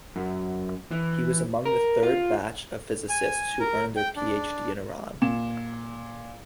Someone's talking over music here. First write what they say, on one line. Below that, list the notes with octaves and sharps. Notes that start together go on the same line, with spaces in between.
He was among the third batch of Physicists who earned their Ph.D. in Iran.
F#2
E3
A#4
F4
G#5
A#4
G5
D4
A#2 E7